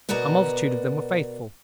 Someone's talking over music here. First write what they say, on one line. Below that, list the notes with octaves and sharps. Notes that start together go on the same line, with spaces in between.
A multitude of them were faithful.
B2 F#4 A#4 D5 D#5 A#5